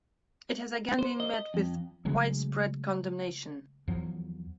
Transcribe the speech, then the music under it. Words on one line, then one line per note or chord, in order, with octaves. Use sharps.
It has again been met with widespread condemnation.
C5
D#5
F2
C#3 F#3 G#3 A3
E2 F3 F#3